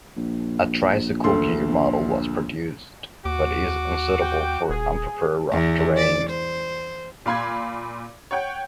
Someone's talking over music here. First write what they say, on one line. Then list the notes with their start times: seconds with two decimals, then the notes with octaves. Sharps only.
A tricycle-gear model was produced, but is unsuitable for unprepared rough terrain.
0.17 A#1
1.24 D2 A4 C6
3.25 D#2 F#4 D6
4.21 G5
4.70 D#1 G#4
5.52 E2
5.97 D5
6.30 C5
7.26 A#2 F5 B5 C6 G#6
8.31 C#5 F#5 G5